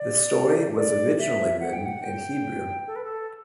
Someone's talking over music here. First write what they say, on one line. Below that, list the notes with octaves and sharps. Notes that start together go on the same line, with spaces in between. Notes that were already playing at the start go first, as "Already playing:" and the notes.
The story was originally written in Hebrew.
Already playing: D5
D5
E5
F#5
G5
F#5
G5
A4
B4
A4